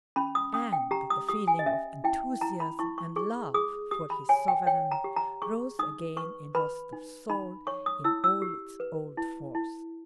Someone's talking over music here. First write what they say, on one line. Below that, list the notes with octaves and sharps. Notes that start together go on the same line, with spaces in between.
And the feeling of enthusiasm and love for his sovereign rose again in Rostov's soul in all its old force.
C#4 B5
D#6
C#4 D#6
G5
G4 A#5
D#6
G4 D#6
G#5
D#5
C#4 E5
E4 G5
E4 A#5
B5
E4 C#6
C#6
G#4 C#6
G#4 D#6
G4 D#6
B5
C#5 G#5
G5
C#5 G5
A#5
G4
A#5
G#4 C#6
D#4 D#6
B4 C#6
B4 B5
D#4
D#4 B5
C#5 C#6
D#6
E4 E6
E6
G4
B4
E4
E4